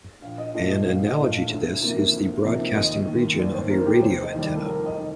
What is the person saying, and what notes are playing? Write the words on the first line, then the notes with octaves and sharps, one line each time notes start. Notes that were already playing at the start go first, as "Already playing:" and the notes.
An analogy to this is the broadcasting region of a radio antenna.
A#1 F5
D#5
A#2 A3 D4 F4 D#5
D#5
A#1 F5
D#5
A#2 A3 D4 F4
F5
D2
C3 F3 A#3 D#4
D2
C3 F3 A#3 D#4
D#2 D#5
D#3 A#3
D#2 D5
C5
D#3 A#3 A#4
G4
F1 C5
D#5
D#2 D#3 G3
D5
A4
F1 A#4
D#5
D#3